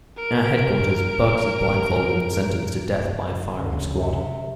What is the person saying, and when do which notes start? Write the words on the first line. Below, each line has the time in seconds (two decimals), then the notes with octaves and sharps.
At headquarters, Bugs is blindfolded and sentenced to death by firing squad.
0.17 A#4 D7
3.57 D2 C#3
3.97 C3